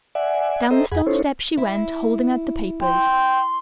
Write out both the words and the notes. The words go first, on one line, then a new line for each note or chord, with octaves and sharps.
Down the stone steps she went, holding out the papers.
D5 E5 F#5 G#5
A4 C5 D#5 E5 G5 A#5
F2 G#4 F#5 G#5 B5
C#4 D#4 E4 A4 C5 C#5
E4
G5 C6